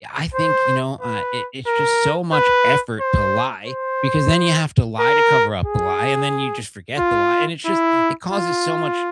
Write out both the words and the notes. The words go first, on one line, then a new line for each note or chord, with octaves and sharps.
I think, you know, I it it's just so much effort to lie because then you have to lie to cover up the lie, and then you just forget the lie, and it's just it causes so much
C5
B4
A#4
B4
C5
C5
A#4
G#4
F4
E4
F4